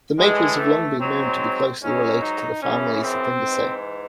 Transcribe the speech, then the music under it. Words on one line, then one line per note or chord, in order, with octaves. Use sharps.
The maples have long been known to be closely related to the family Sapindaceae.
A2 E3 G#3
A3
G#2 F#3 C4
G#2 F#3 C#4
D#4
F#2 C#3 E3 C#4
C4
G#2 E3